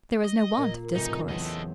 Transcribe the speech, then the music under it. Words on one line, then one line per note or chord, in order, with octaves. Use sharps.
There was no want of discourse.
D#5
A#2 A#3
C#2 A2 C3 F3 D#4
E2 E3 F#3 C4 A4 D#5